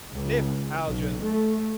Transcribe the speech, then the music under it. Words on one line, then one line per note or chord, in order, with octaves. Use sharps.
"Lift, Haljan!"
C#2
B1
A3